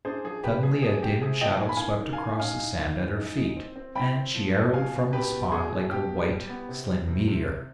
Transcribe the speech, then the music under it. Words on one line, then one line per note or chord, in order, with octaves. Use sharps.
Suddenly a dim shadow swept across the sand at her feet, and she arrowed from the spot like a white, slim meteor.
D4 G#4 C5
F3 G#4
C3 G4 B4
F3 G#4
D4 G#4
C3 G4
C3 G#4
F3 D#5 G5
D#3 G#5
B5
F5 G#5
D#3
D#3
F5 G#5
D#3
D#4 F5 G#5
D#4
D#3
D#3
D#4
D#4
C4
C4
C4 G5 B5
C4
F3
F3
B2 F5 G#5
B2
B2 G4 B4
B2
B2 G#4
B2
B2 G4
B2
G3
B3
C3
G3
C3
C3
C3